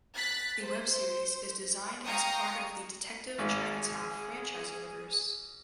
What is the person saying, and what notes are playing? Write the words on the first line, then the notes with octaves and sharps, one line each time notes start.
The web series is designed as part of the "Detective Chinatown" franchise universe.
F#6 A6 B6
C5
F5 G5 A#5 C#6 D#6
G#1 G#4